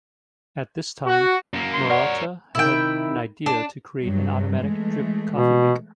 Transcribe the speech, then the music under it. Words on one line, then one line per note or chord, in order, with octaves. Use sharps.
At this time, Marotta had an idea to create an automatic drip coffee maker.
F#4
F#2 A#3
C6
A#4 C#5 D5 F#5
C3 D#3 E4 G5
D4 A5
G2 F#3
E3 G#3 A3
B2